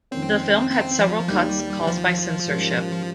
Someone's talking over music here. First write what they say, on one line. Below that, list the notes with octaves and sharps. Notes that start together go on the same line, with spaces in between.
The film had several cuts caused by censorship.
F2 D#3 A#3 C4 C#4
C4
F3
D#2 D#3 G3 A#3 D#4
F3
G#2 G3 C#4 G4 A#4